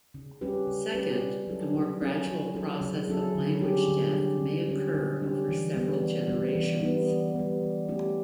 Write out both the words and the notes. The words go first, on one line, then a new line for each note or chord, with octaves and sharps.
Second, the more gradual process of language death may occur over several generations.
C#3
G3 C#4 G4 B4
C#3
G3 C#4 G4 B4
C#3
F#3 C#4 E4 A4
C#3
F#3 C#4 E4 A4
C#3
F#3 C#4 E4 A4
C#3
F#3 C#4 E4 A4
D3
G3 C#4 G4
D3
G3 C#4 G4
D3
G3 C#4 G4
D3
G3 C#4 G4
E3
G3 B3
E3
G3 B3
E3
G3 B3
E3
G3 B3
E3
A3 C#4 E4 G4